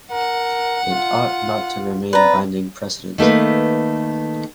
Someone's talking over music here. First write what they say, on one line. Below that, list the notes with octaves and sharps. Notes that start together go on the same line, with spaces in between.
It ought not to remain binding precedent.
A#4 F#5
F4
C4 B4 D5 A#5
D#3 A3 A#3 B4